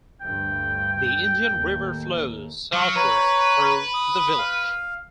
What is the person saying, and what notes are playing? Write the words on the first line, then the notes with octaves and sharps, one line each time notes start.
The Indian River flows southward through the village.
D2 G2 G5
D#2 A2
F#3 F5
B4 C#5 A#5
D#6
F5